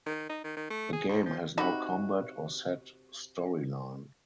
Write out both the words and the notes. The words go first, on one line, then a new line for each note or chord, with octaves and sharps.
The game has no combat or set storyline.
D#3
D#4
D#3
D#3
A3
G#4
D2
F3
C3 D#4 F#4 B5